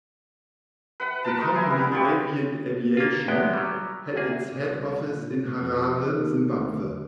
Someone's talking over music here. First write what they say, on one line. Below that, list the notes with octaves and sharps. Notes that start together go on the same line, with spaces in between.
The company Avient Aviation had its head office in Harare, Zimbabwe.
B4 F#5 B5
A#4 B4 A5
D#4
E4 G#5 C6
G3 B3
B3 F4 G4 C#5
A#3 F4
A1 E2 G#3 B3 G5
F#3 G3
D2 A#3 G#4
C2
A#2
F2
D#3
D2